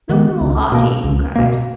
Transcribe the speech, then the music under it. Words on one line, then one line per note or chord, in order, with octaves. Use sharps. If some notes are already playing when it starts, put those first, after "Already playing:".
"Look more hearty!" he cried.
D#3 G#3 B3
C#2
B2 A#3
C#2
B2 A#3